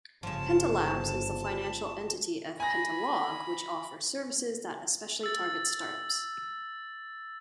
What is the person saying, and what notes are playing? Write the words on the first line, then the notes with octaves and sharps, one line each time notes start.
Pentalabbs is the financial entity of Pentalog which offers services that especially target start-ups.
G1 C#3 F3 A5
G#5 B5 A#6
E6 A6